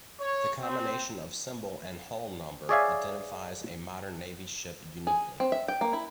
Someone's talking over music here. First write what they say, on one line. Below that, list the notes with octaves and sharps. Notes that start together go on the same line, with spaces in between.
The combination of symbol and hull number identifies a modern Navy ship uniquely.
C#5
C4
G#4 C#5 D5 E5 F5 G#5
G#4
C4
E5
G5
A#3
E4